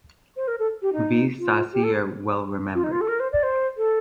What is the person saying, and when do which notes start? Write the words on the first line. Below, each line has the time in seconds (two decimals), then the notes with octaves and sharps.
V. Sasi are well remembered.
0.36 C5
0.47 A#4
0.59 A4
0.82 G4
0.92 D#4
1.39 F4
1.73 G4
1.83 A4
2.74 F4
2.83 D#4
2.91 F4
3.00 A4
3.08 A#4
3.19 C5
3.32 D5
3.42 C5
3.77 A4